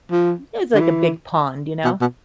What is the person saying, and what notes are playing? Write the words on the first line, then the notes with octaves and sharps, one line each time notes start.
it was like a big pond, you know?
F3
D3
E3
B2
B2